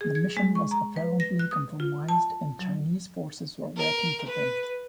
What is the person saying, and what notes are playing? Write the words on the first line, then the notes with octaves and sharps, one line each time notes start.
The mission was apparently compromised and Chinese forces were waiting for them.
G#4
G#6
G#3
C#6
A#5
B4
A#6
F#6
D#6
F4
A5
F#3
A#4
B4